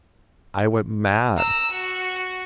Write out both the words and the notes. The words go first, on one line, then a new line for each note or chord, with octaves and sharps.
I went mad!
A#5 E6
F#4